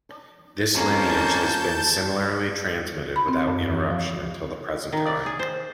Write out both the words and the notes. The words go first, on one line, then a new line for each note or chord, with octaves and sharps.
This lineage has been similarly transmitted without interruption until the present time.
F2 A#3 C#4 A5 G6
B5
C4
F#2
E3
F3
D#3
D5
G#4
C5